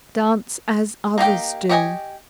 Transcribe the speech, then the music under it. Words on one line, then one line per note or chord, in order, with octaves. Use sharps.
Dance as others do.
A#3 D#4 G4 G5
G4 C#5 D#5 G5 G#5